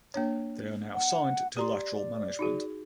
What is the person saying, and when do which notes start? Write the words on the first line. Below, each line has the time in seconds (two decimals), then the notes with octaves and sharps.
They are now signed to Lateral Management.
0.14 A#3 D4 C#5
0.94 F#5
1.57 G4 D5 A#5 C6
2.39 D#4 F#4 G#4